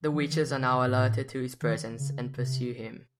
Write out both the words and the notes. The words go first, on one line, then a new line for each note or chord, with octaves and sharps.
The witches are now alerted to his presence and pursue him.
E3
D#3
C#3
C3
A2
D#3
C#3
C3